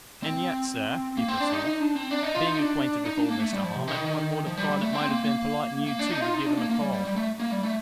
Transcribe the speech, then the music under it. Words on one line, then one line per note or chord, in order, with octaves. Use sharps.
'And yet, sir,' he pursues, 'being acquainted with old Mr Harmon, one would have thought it might have been polite in you, too, to give him a call.
C4
A#3
C4
D4
D#4
D#4
D4
C4
D4
D#4
F4
D#4
D4
D#4
D4
A#3
A3
G3
F3
C3
D#3
F3
G3
G3
A3
C4
A#3
A#3
A#3
D4
D#4
F4
D#4
D4
A#3
A#3
G3
G3
G3
A3
A#3
G3
A3